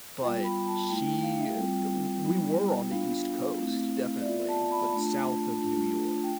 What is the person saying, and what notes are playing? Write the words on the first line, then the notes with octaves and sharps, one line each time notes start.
but she w we were on the East Coast, definitely, but south of New York.
G3 B3 F4 G5
B5
A5
A3 E4 G5
G5
F5
E5
G3 C4 F4 G5
G3 B3 E4
B3 D4 F4 F5
A3 C4 E4
D5
B3 F4 E5
A5
B5
A3 D4 F4 A5
A3 D4 F4
G5